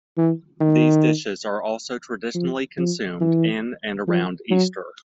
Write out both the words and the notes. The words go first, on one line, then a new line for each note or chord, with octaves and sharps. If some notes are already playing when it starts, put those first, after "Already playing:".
These dishes are also traditionally consumed in and around Easter.
E3
D#3
F3
F3
E3
F3
F#3